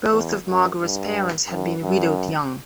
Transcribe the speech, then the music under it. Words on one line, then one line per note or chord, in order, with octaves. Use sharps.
Both of Margaret's parents had been widowed young.
E2
F#2
G2
F#2
F#2